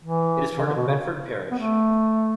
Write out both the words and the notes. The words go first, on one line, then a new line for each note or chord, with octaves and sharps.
It is part of Bedford Parish.
E3
C#3
D3
B2
C#3
B3
A3